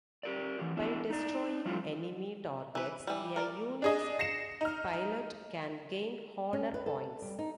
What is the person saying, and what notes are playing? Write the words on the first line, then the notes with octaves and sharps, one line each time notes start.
By destroying enemy targets, a unit's pilot can gain Honor Points.
G4 A#4 D5
E3 G4
B3 D4 E4
D#4 D5
F3 G3 A3 D4 E4 F4
E3 B4
E3 G3
A#4 D5
D4 G#4 D#5
A#6 C7 C#7 E7
D#4 F6
C#4
B4
A4
G3
D#4